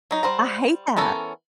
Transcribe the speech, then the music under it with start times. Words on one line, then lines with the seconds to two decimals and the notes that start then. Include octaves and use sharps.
I hate that.
0.11 F#3 D#4
0.23 G3 C5 F#5 A#5
0.97 E3 B3 C#4 A4 A#4